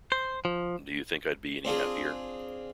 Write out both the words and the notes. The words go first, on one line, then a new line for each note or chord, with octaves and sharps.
Do you think I'd be any happier?
C5
F3
C4 D4 F4 G#4